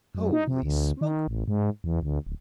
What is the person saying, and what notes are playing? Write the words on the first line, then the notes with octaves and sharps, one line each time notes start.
Holy smoke!
F#2
D#4
C3
D2
D#3
A1
G#2
E2
D2
D1